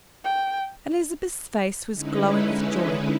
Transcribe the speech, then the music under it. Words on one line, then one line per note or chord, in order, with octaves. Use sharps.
Elizabeth's face was glowing with joy.
G5
D3 G#3 C#4 D#4 E4 B4